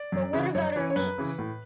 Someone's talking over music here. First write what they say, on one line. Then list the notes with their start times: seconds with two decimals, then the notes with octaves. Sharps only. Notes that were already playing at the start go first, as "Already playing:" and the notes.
But what about our meat?
Already playing: D5
0.12 F#2
0.33 C#3 E3
0.55 F#2 C#5
0.76 E3
0.90 C#5
0.96 F#2 B4
1.18 C#3 E3
1.39 A2